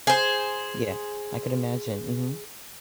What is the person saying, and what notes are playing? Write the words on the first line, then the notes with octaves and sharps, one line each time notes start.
Yeah, I could imagine. Mhm.
G#4 C5